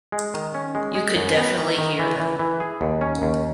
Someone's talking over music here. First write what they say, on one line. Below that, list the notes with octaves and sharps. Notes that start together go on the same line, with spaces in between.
You could definitely hear them.
G#3
D#3
C#4
G#3
G#3
F#2
B3
D#3
D#3
E3
E3
E3
G#4
D#2
C#4
D#2